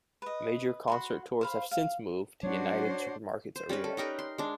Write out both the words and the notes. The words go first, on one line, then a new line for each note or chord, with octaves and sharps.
Major concert tours have since moved to United Supermarkets Arena.
B4 D#5
F#4 B5 C6
C5 F5 B5
F5
F#3 C#4 D4 F#4 C5 C#5
C5
G3 C#4 A#4 B4
A4
D#4 G4 A#4 B4
C6
G#3 D4